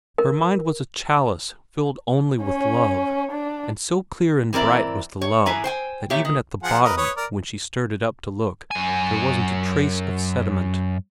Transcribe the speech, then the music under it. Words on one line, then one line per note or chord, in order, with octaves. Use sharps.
Her mind was a chalice filled only with love, and so clear and bright was the love that even at the bottom, when she stirred it up to look, there wasn't a trace of sediment.
A#4
C#4 C#5
D4
E3 C4 A#4 D5 E5
C#5
A2 E3 B4 G#5 A#5
C5 G5 G#5
A#2 G4 C#5 E5
D#3
F3 G#4 F#5
A#4 B4 D#5
B4 C#5 D#6
A#4 D5
F#2 G#5